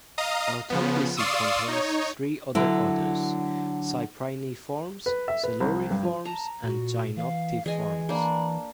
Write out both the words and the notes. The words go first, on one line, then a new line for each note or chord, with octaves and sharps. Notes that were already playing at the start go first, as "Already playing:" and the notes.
Otophysi contains three other orders, Cypriniformes, Siluriformes, and Gymnotiformes.
D#5 F5 A#5 D#6
C#3 F3 B3
D5 F5 C6 C#6 D#6 E6
D#4 C#5
D3 F#3 E4
B4
E5
B4
C2
G2
F3
A5 A#5
A#2 F#4
E3 F5
E3 G#3 D#5 G#5
A#3 D4 B5